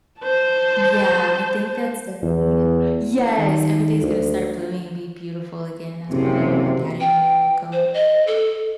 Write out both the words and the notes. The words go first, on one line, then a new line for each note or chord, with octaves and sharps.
Yeah. I think that's definitely Yes, everything's gonna start blooming and be beautiful again, that's probably when my baddie meter will go up.
C5 A5
E2
D#3
D2
F#1 C3
G5
C5
D#5
A4